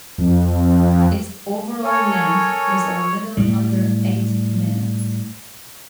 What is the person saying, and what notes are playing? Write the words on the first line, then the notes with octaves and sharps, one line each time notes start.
Its overall length is a little under eight minutes.
F2
A4 A#4 C#5 G#5
A2 G3